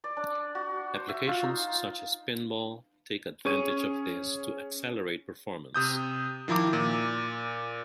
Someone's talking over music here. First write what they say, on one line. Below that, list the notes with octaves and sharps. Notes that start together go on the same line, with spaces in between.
Applications such as Pinball take advantage of this to accelerate performance.
D5
D4
F#4
C5
E5
F4
D#4
C#4 G#4 C#6 D#7
C3 D#6 G6
D#3 F3 E4 A#5 D6
A#2